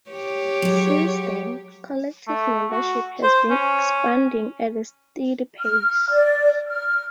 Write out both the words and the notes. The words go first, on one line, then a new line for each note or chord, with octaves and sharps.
Since then, collective membership has been expanding at a steady pace.
G4 C#5
F#3 G#3
A3
F#4
C5
C#4
F6
D5
F6